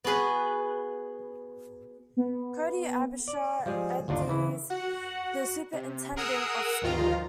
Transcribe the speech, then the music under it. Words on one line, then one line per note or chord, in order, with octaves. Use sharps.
Cody Abshier, Ed.D s the Superintendent of Schools.
B3 F#4 G#4 B4
B3
D5
F3 G3 G#3 G#4
G1 D#2 D4 D#4 F4
C#3 E3 E4
F#4 F#5
C3
G#4 A#4 F#5 D#6 E6
D2 G2 D#3 F3 F4 A#5